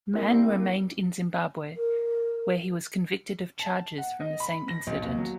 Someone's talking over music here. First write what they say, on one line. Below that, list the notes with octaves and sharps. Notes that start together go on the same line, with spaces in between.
Mann remained in Zimbabwe, where he was convicted of charges from the same incident.
C2 G3 A#3 C4
A#4
A5
F#5
D#5
B5
A#6
B1
D#2
F#3